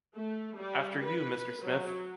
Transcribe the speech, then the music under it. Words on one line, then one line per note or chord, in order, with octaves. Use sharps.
After you, Mr. Smith!
A3
G3
B4
F#3